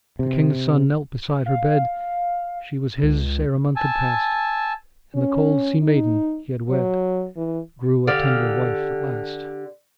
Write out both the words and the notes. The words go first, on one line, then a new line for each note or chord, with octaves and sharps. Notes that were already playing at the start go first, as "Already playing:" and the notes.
The king's son knelt beside her bed: She was his ere a month had passed; And the cold sea-maiden he had wed Grew a tender wife at last.
C3
F5
C#2
G#5 A5 E6
C#4
D#4
F#3
E3
D3 G4 F5